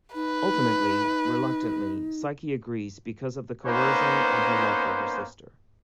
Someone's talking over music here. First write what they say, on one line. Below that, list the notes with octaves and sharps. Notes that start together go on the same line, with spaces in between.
Ultimately, reluctantly, Psyche agrees because of the coercion and her love for her sister.
D#4 B4
A#3 B3 C#4 D#4 B4 C5